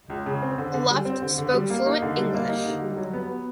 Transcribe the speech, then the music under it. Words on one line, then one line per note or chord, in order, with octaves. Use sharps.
Luft spoke fluent English.
C#2
C#3
C4
D3
D3
G3
C4
D3
D3
G3
A#3
D#4
D3
G3
A#3
D#4
D3
G3
F#3
B3